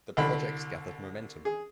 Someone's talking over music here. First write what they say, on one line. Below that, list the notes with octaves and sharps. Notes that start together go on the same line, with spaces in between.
The project gathered momentum.
C2 D3 B5
G#4